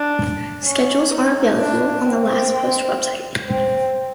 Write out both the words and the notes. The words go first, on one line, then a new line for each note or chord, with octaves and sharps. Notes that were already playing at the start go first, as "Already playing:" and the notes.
Schedules are available on the Last Post website.
Already playing: D4
C#4
D#4
D4
C4
C4